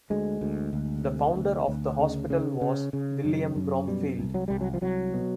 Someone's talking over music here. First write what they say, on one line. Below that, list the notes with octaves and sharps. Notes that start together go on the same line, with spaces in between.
The founder of the hospital was William Bromfeild.
D2 G#3
D2
D2
C3
D2
D2
C#3
C#3
C#3
C#3
F#2
F#2
B2 G3
C2
F#3
C2 G3
F#3
F3
C2 F#3
B2